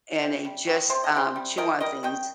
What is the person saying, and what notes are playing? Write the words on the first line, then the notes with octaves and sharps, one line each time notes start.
and they just, um, chew on things,
C3
G3
D#3
C3 C5
D#5
C3 G4 C5
G3
C3 A#4 D#5
G3 A#4 D#5
D#3 D#5 G5